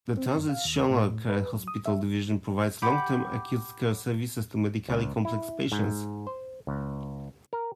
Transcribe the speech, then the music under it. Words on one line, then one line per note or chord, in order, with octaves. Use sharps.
The Transitional Care Hospital division provides long-term acute care services to medically complex patients.
C4
F#2
F5
D#2
A2
B4
F#3
D#6
E5
G4 F#5 B5 D6
C#2
E4
G#2
C5
C#2
A#4